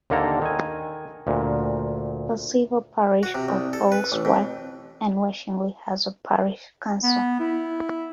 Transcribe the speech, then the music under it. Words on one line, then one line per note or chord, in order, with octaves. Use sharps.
The civil parish of "Folksworth and Washingley" has a parish council.
D#2 D3 A#3 A4 A#5
D#3 G#5
D2 A#2
F#4
C3
C2
A4
B4
A1
F2
B3
E4